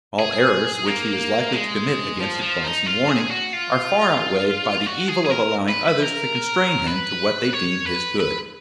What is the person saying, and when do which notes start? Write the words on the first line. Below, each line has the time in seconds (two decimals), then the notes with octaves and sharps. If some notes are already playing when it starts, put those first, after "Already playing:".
All errors which he is likely to commit against advice and warning, are far outweighed by the evil of allowing others to constrain him to what they deem his good.
0.19 G#4
0.86 A#3
1.52 G#3
2.20 F3
2.42 F3
2.64 D#4
2.86 F4
3.08 G#4
3.31 F#4
3.53 F4
4.86 F#4
5.08 G#4
5.26 G#4
5.30 A#4
5.69 B4
5.86 B4
6.03 A#4
6.86 B4
7.53 C#5
7.86 B4
8.20 B4